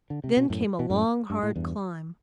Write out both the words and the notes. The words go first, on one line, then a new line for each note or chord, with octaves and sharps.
Then came a long, hard climb.
D3
C3
B2
F#2 A2
B2
F#2 A2
G2
A2
E2 G2